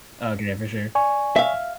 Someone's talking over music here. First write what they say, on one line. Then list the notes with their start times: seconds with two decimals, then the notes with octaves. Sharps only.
Okay, for sure.
0.95 D5 G#5 C#6
1.36 E5 F5